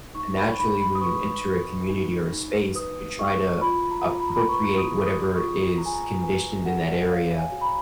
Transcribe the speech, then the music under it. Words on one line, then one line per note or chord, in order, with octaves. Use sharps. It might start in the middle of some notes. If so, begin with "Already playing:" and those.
naturally when you enter a community or a space, you try to appropriate whatever is conditioned in that area,
D#4 C#6
B5
D#4 B5
B5
D#6
B4 C#6
F#4
D#4
D#4
B4 D#6
F#4 C#6
F4 B5
B5
A#5
F4
B5
A#5
B5
B4 C#6
D#6
G#4
D#6
F4 C#6
F4 A#5
G#5
A#5
B4 G#5
G#4 F#5
C#5 F5
G#5
F#4
B5
A#5